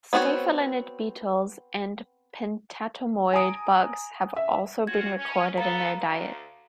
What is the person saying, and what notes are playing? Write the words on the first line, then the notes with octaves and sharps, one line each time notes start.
Stayphylinid beetles and pentatomid bugs have also been recorded in their diet.
B3 C4 F#4 G#4 C#5
G#5 A#5 D#6 D7
E5
C#4 F4 F#4 G#6
C#4
B3 A4 F5 A#5
D2